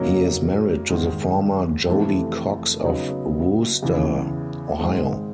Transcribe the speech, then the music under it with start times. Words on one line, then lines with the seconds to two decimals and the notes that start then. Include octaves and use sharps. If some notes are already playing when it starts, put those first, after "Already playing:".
He is married to the former Jody Cox of Wooster, Ohio.
Already playing: F#2 C#3 F#3 A#3 D#4
0.90 G#2 D#3 G#3
1.87 F2 C3 E3 A3
2.84 C#3 F#3 B3 D#4
3.82 E2 C#3 E3
4.79 G#2 D#3 G#3 C4